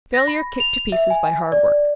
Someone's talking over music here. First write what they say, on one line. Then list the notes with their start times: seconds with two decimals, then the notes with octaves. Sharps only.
Failure kicked to pieces by hard work.
0.14 A#6
0.28 B5
0.60 F7
0.92 E5
1.10 G#5
1.52 D5